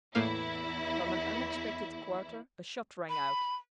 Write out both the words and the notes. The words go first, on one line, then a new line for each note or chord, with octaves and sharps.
From an unexpected quarter a shot rang out.
E2 A2 A#3 E4 F5
B5